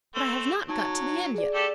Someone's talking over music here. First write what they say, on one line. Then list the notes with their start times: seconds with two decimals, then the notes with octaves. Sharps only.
But I have not got to the end yet.
0.15 A3 C4
0.68 F#3 D#4 A5 G#6
1.35 G#4 D5
1.54 A3 G4 A4